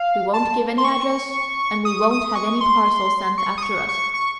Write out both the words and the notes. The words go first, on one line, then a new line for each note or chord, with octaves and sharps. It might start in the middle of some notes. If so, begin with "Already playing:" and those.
We won't give any address, and we won't have any parcels sent after us.
Already playing: F5
A5
C6
C#6
D#6
D#6
C#6
C6
C#6
D#6
C#6
C#6
C#6